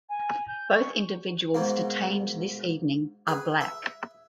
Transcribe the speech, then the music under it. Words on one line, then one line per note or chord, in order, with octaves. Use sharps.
Both individuals detained this evening are black.
G#5
G6
C#6
G#2 B2 A#3
G#4 B4
E5